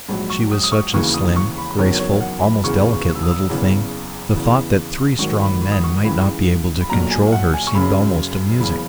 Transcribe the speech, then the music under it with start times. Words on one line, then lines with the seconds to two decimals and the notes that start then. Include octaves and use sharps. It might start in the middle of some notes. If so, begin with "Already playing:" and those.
She was such a slim, graceful, almost delicate little thing; the thought that three strong men might not be able to control her seemed almost amusing.
0.08 A#1 G#2 F#3 B5
0.30 C#6
0.51 D#6
0.64 D#6
0.72 C#6
0.93 E1 D#2 C#3 E3 C#6
1.14 D#6
1.36 C#6
1.57 B5
1.78 F#1 E2 D#3 F#3 C#5
1.99 C#5
2.21 F#5
2.42 B5
2.64 E1 E2 C#3 E3 C#6
3.15 E6
3.23 D#6
3.31 E6
3.49 F#1 E2 C#3 E3
4.34 E2 C#3 E3
5.19 G#1 G#2 D#3 F#3 C#6
5.40 B5
5.62 B5
5.72 D#6
5.84 C#6
6.04 C#2 C#3 E3 B5
6.81 B5
6.89 B1 A#2 F#3 A#5
7.11 G#5
7.28 E5
7.32 F#5
7.54 G#5
7.67 C#6
7.74 F#1 F#2 C#3 B5
8.60 F#1 E2 C#3 E3 B5